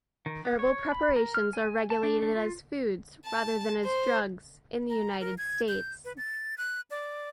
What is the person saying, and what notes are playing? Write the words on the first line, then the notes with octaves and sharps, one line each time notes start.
Herbal preparations are regulated as foods, rather than as drugs, in the United States.
D#3
B3
C#5
B5
A#4
F6
G#5
A5
D4
D4
F4
A5
C5
A#5
A#4
G#6
G6
B4
A6
F#6
D5